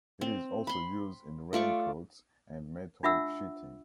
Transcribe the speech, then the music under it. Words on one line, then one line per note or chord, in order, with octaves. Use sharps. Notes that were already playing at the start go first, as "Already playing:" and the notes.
It is also used in raincoats and metal sheeting.
C4
B5 C6
A3 F4 D5 C#6
D4 F4 E5 F#5 E6